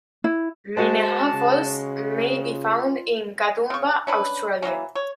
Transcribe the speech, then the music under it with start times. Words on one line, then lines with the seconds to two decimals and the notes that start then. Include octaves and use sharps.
Minnehaha Falls may be found in Katoomba, Australia.
0.24 E4
0.77 G#3 F#4 C5 A5
1.34 C#3
2.43 F4
3.70 C#3 C#6
4.07 C#4 D4 B4
4.62 E3 F#3 A#3 C#4
4.95 C#5